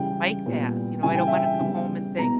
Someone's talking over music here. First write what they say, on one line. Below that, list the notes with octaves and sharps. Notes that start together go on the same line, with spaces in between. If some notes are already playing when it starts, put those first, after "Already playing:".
bike path. You know, I don't wanna come home and think,
Already playing: C#3 E3 G3 G5
A#2 G3 B3
C#3 E3 G3 G#5
G5
E5
G5
C#3 G3 B3
B2 G#3 B3 A#5